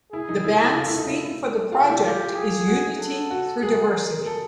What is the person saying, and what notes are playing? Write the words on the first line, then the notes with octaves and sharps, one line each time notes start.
The band's theme for the project is "Unity Through Diversity".
E4 G#4
D#4
E4
E4
E4
F4 A4
E4
D#4
E4
F4 G4
E4
F4 G4
G#4
F#4
A4
F#4
G#4 A#4
A4